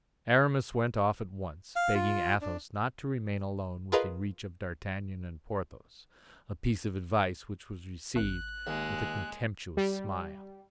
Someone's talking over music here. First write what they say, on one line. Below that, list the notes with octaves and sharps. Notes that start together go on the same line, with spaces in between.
Aramis went off at once, begging Athos not to remain alone within reach of D'Artagnan and Porthos; a piece of advice which was received with a contemptuous smile.
F5
F4
D4
F4 G#4 A#4 B4 D#5 F5
G#1 F#6
D#2 G#3
G3